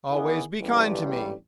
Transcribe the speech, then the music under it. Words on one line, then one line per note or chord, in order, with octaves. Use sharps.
Always be kind to me.
E2 D#3 E3 B3 G#4
A1 E2 G2 G3